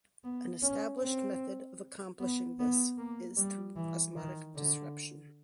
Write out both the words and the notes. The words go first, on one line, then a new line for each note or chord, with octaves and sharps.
An established method of accomplishing this is through osmotic disruption.
B3
C#4
C4
B3
B3
A#3
G3
E3
D#3
D3